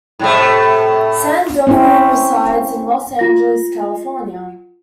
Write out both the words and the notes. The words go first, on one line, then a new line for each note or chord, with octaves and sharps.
Sandoval resides in Los Angeles, California.
A2 C3 A3
C4 C#4 E4
F4 A#6